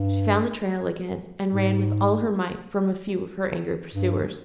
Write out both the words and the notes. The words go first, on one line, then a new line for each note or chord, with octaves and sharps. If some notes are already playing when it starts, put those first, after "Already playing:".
She found the trail again, and ran with all her might from a few of her angry pursuers.
Already playing: G2
G#2
G2